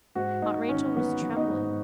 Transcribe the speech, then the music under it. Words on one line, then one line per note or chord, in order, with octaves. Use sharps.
Aunt Rachel was trembling.
G#2 F#4
G#2 D#4
D#3 C#4
F#3 B3
F#3
D#4
G#2